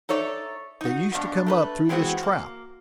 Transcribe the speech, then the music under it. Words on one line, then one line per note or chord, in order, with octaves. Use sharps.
They used to come up through this trap.
D#4 A4 C#5 D5 E5
D#4 F#4
G2 B2 D4
A3 A4 B4
E3 G#3 B3 C4 F#4
A#3